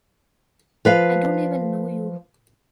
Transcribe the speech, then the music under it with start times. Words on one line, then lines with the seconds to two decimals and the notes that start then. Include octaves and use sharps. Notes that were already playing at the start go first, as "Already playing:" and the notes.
I don't even know you.
0.85 F3 B4 F5